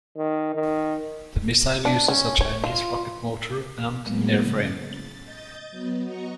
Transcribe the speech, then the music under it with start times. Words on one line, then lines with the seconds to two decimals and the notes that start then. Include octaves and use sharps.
The missile uses a Chinese rocket motor and airframe.
0.17 D#3
0.55 D#3
1.85 D4
2.08 C#4
2.41 C#5
2.64 F4
4.02 A2 F#3 G#3 A#3 B3
4.40 C#3 A6
4.81 A6
5.22 D#5 G6 A6
5.71 F#3 B3
6.03 F#4 D#5 A#5 C#6